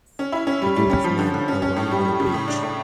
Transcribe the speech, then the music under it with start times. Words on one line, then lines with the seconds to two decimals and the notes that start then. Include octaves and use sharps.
A group of men are running on a beach.
0.19 C#4
0.32 E4
0.47 C#4
0.62 G3
0.77 G3
0.90 C#4
1.04 F3
1.19 D3
1.34 D3
1.48 C#4
1.62 C#4
1.76 A2
1.91 G3
2.05 G3
2.20 C#3
2.34 A2
2.48 D4
2.63 A2